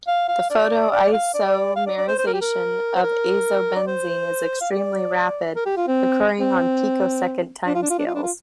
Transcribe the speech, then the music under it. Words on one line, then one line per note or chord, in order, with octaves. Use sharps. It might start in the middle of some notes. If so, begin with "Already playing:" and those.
The photo-isomerization of azobenzene is extremely rapid, occurring on picosecond timescales.
F5
F5
D5
D5
F5
D5
F5
D5
D5
C5
C5
A#4
G4
A#4
C5
A#4
D5
C5
F5
D5
A#4
G4
F4
C4
C4
D4
F4
D4
F4
D4
F4
D4
F4